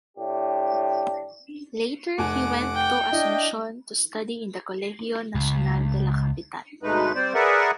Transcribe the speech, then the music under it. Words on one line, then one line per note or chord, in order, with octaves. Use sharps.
Later, he went to Asunción to study in the Colegio Nacional de la Capital.
A2 D4 G4
F1 F#5 G#5 D6
G5
D4 E4 D#5
C#2
D2 B2 G#3 A3 D#4 B4
G3 C4 C5 D5
G#4 A#4 B4 D5 E5 F#5